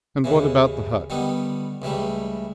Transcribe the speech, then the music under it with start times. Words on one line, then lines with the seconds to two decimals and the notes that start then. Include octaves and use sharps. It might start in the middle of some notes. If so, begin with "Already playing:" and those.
"And what about the hut?"
0.24 D#2 C#3 E3
1.10 D3 D#3 G3 B3
1.82 C#2 E3 G3 A3